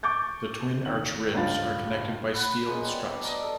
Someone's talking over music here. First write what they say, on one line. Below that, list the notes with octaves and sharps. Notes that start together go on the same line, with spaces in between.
The twin arch ribs are connected by steel struts.
C#6 D6 G6 A6
D#2 F#7
C#2 G2 F4 A6
B4 F#5 B5
F#2 B2 G#3
G3
G2
A#4 D5 D#5
A4